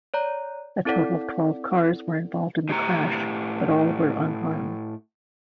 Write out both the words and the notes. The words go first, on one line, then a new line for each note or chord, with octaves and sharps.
A total of twelve cars were involved in the crash, but all were unharmed.
C#5 D5 A#5
C4 E4 A4 D5 F#5
A2 G4 A#5